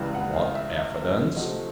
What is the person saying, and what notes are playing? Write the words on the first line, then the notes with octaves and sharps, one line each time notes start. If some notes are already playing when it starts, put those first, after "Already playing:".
"What evidence?"
Already playing: C#2 C#3 E3 G3
F#5
F5
F5
E5
D2 C3 F3 A3 D#5